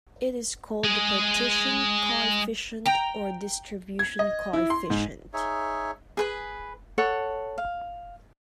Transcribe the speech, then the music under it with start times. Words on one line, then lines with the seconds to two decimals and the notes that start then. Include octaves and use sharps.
It is called the partition coefficient or distribution coefficient.
0.84 G#3 G#4
2.86 G5 A#5
3.99 G#6
4.19 D#5
4.53 E4
4.70 C6
4.90 G#2
5.33 D#4 G#4 C#5 E5
6.17 G#4 B4 B5
6.98 A4 C#5 F#5
7.58 F5